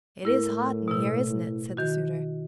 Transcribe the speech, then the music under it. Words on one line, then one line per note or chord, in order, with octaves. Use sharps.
'It is hot in here, isn't it!' said the suitor.
A2 E4 A#4
B2 E4
D#3 F#4